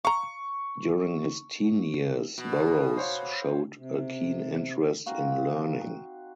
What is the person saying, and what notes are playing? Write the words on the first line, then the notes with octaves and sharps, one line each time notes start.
During his teen years Burroughs showed a keen interest in learning.
F5 A#5 C#6
B2
C5 C#5 F5
C3
C4 D#4 F#4 F5